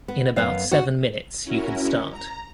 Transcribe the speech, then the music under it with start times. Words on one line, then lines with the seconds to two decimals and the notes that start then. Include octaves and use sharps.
In about seven minutes you can start.
0.08 B3
0.37 F#2 B3 F5
0.72 F#4
1.44 C#4 E4 F#4 A#4
2.10 A#5